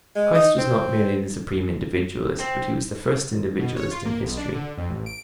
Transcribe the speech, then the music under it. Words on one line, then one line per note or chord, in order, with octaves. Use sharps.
Christ was not merely the supreme individualist, but he was the first individualist in history.
G#3
D#4
C4
C4
B2
C#5
F4
A#3
B1
D4
D3
F2
A1
D7